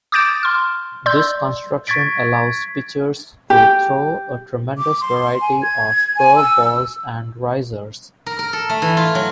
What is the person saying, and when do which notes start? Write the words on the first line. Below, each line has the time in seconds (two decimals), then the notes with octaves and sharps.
This construction allows pitchers to throw a tremendous variety of curveballs and risers.
0.12 D6 D#6 G6 A6 D7 E7
0.43 C6 F6
1.06 D5 C6 E6 G6
1.87 C#6 G#6 A6 B6 D7
3.50 G4
4.78 D6
5.01 C6
5.41 G#5
5.62 G#6
6.17 G#5
6.36 E6
8.26 A#4
8.39 A#4
8.53 A4
8.69 A3
8.82 E3
8.97 F4
9.15 F#3